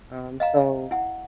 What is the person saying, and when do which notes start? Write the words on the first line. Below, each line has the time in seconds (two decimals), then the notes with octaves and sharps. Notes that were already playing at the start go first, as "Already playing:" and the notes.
um so,
0.40 D#5 F5 A#5
0.91 E4 F#5